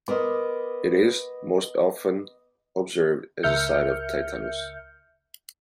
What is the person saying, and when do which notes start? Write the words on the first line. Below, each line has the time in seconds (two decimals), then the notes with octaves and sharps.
It is most often observed as a sign of tetanus.
0.08 B3 A#4 C5 D#5 D6
3.43 C#2 A#4 E5 F6 G6 C#7